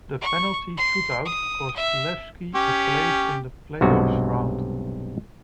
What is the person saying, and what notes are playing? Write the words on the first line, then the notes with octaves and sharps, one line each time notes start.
The penalty shoot-out cost Levski a place in the Play-off round.
C#6
C6
D#6
E5
C#4 G4
B1 G2 C3 G#3 F#4